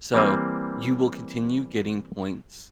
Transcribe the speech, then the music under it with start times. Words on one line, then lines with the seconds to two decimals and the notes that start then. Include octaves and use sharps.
So, you will continue getting points
0.14 E3 G3 A#3 C4